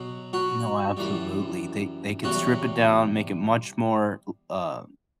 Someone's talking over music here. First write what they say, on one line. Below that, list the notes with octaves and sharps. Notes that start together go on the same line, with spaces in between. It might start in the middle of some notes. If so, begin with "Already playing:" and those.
No, absolutely. They they could strip it down, make it much more l uh,
Already playing: B2 F#3
F#3 F#4
F#2 E3 G3
E2 C3 F#3 G3 F#4